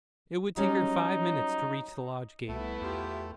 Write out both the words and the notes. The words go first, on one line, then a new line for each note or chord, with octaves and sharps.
It would take her five minutes to reach the lodge gate.
F#3 G3 C#4 D#4
C2 A3 B3 E4
E2 F4 G4